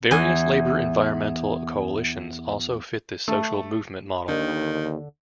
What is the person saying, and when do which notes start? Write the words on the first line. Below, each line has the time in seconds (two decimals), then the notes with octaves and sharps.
Various labour-environmental coalitions also fit this social movement model.
0.11 E2 G#5
3.28 A3
4.28 D#2 D3 D#3